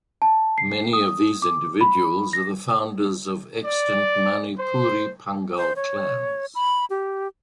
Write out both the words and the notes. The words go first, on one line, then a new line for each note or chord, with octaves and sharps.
Many of these individuals are the founders of extant Manipuri Pangal clans.
A5
C7
D#6
D6
B5
A#6
D5
C5
C5
C#5
B5
G4